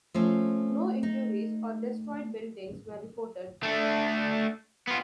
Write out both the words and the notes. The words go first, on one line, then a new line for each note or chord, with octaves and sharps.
No injuries or destroyed buildings were reported.
F3 A3 C4 C#4
D#4
A3 D4
B3 F4